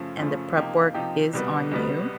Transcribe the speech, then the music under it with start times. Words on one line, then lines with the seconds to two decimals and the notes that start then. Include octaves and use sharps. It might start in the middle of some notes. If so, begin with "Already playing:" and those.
and the prep work is on you,
Already playing: F#2 C#3 F3 A3
0.18 F#2 C#3 F3 A3
0.56 C3 F3 A#3 D#4 G4
0.94 C3 F3 A#3 D#4 G4
1.33 C2 B2 G3 B3
1.71 C2 B2 G3 B3